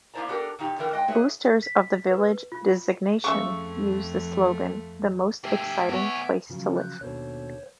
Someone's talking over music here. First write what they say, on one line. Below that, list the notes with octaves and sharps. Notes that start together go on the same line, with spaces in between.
Boosters of the village designation use the slogan The most exciting place to live.
A#3 B3 E4 C5 D5 A#5
B3 D4 G4 A4 A#4
A#2 D#3 D#4 G4
A2 D3 E3 A#4 G5
G#3 D#5 G5
G#4 B4 C#5 D#5 E5
B6
B4
F4
F2 C#3 A3 E5 C#6 E6
A3 G4 E5 G#5 D6
D2 B3 C#5
C#3 F3 F#3
F#6 G6
D#2 B2 D3 C5 C#5